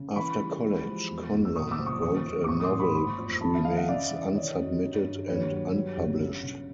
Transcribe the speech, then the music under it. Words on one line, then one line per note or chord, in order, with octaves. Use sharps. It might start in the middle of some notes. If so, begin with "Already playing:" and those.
After college Conlon wrote a novel which remains unsubmitted and unpublished.
Already playing: C#3
E3 B5 C#6
G3
G#3
F3
E2
F#1
E6
A#2 C#6 D#6
D6 E6
F3
C#6 D#6
D#2 C#6 D#6
D#2
D6
A1 C#6 D#6
D#6
C6 D6
G#2
B5 C#6
F#1 B5 C#6
F2
D#2 A5 B5
E5
D#3 D#5 F5
E5 F#5
C#3 D5 E5
E3
D5
D#3 C#5 D#5
F#2
G2
G2
D#2 B4 C#5
F#3
G3
G1
C#3
C#3